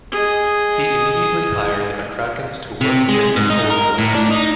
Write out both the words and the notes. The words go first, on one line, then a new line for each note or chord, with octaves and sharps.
He immediately hired the McCrackens to work as the toll collectors.
G#4 D#5
C3
G#3
G#2
D#4
A#4
A2
D4
D#4